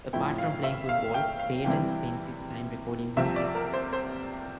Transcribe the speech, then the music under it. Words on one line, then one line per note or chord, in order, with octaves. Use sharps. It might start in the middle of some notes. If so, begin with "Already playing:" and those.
Apart from playing football, Payton spends his time recording music.
A2 F3 C4 E4 G5
F5
E5
F5
G5
F5
C3 E3 G3 C4 E4 G5
C2 C3 F3 C4 E5
D5
A#4
C5
C5